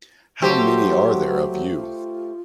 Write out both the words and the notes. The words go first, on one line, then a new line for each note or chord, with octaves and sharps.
How many are there of you?
F#3 A3 G4 C5
F4